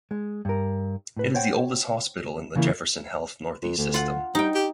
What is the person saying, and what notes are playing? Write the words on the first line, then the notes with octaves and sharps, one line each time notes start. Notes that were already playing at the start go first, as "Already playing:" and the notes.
It is the oldest hospital in the Jefferson Health Northeast system.
G#3
G2 A#4
A2 B4
C5 C#5 F#5 G5
C#3 E3 A#3 E4
F2
D2
F4 F#5
G3 D#4 G5
G4